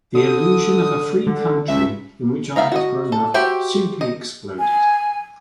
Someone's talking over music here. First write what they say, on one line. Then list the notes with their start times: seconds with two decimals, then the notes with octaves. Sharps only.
The illusion of a 'free country' in which I had grown up simply exploded.
0.15 D3 D#6
1.27 D3
1.68 C#2 E5
2.56 B3 E5 F5 A#5
2.72 F#4 D#5
3.12 A4
3.34 F#4 G4 C5 E5 G5
4.01 D#5
4.59 G#5